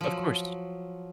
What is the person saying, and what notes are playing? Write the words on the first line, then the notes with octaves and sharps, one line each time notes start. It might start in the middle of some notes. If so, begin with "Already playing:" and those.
Of course,
F3 F#3